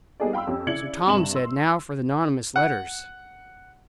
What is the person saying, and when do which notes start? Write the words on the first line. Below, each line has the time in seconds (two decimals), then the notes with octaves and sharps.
So Tom said, now for the nonnamous letters.
0.20 G3 B3 D#4 G#4 A4 D5
0.33 F5 G5 B5 C6 E6
0.47 F2 C#4 G4
0.67 C#3 E4 D5 G#6 C#7 F#7
1.07 G2 C3 E7 F#7
1.35 C6 E6
2.56 F#5